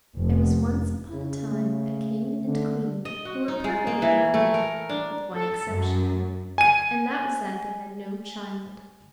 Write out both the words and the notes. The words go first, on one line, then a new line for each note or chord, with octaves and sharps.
There was once upon a time a King and Queen who were perfectly happy, with one exception, and that was that they had no child.
F1
C#3
A3
D3
D#5
F#4
D#4
G#3
A#3
E3
A3
A#4
D4
A4
F#2
G#5 D#7